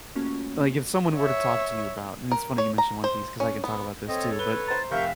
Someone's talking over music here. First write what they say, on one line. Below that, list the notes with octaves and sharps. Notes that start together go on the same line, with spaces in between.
Like, if someone were to talk to you about and it's funny you mentioned One Piece 'cause I can talk about this, too, but
A3 A#3 C#4 F4 F#4
C#5 E5
A#4
C#5
A#5
C5
C#4
B3
C4 A4 C#5 D#5
B4 G7
C5 A#5 A6
F1 C4 A#4 E5 F5 C#6 G6